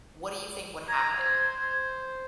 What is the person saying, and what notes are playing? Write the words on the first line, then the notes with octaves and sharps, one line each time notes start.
What do you think would happen?
A#5 G#6
C5